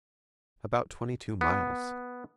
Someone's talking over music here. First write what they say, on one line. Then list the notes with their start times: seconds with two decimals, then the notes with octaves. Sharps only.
'About twenty-two miles.
1.41 B3